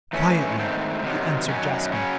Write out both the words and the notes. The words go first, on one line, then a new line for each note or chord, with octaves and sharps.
Quietly be answered Jaska.
E3 A3 C#4
G#2 D#3 A3 C4
C3 D#3 F#3
F#2 D#3 F#3 C#4
C#3 F#3 C#4